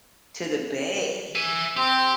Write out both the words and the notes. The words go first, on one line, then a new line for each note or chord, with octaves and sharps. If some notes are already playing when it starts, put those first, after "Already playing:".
to the bay.
E5 G#5
C4 G4